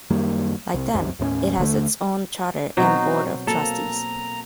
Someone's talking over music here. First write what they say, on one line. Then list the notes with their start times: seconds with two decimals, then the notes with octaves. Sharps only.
Like them, it has its own charter and Board of Trustees.
0.10 F#2 D#3 G3 A#3
0.74 C2
0.94 F1 C2 F#2 C3
1.19 D#2 A2 B3 C#4
1.58 D#2 D3 E3 A3
2.77 B2 F#3 C4 D#4 F#4 C5
3.47 A#3 A4 A#5